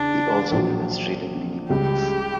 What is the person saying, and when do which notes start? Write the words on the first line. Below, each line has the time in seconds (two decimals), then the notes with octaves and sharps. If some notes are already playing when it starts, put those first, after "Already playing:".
He also illustrated many books.
Already playing: E2 C#3 D4
0.52 A#1 A#2 F#3
1.70 C#2 C#3 G3 G4